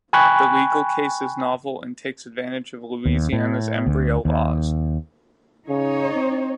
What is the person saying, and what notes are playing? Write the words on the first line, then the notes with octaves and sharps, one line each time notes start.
The legal case is novel and takes advantage of Louisiana's embryo laws.
G5 G#5 B5 C#6 F#6
D#2
A2
D2
D#2
C#3 D#4 C#5
C4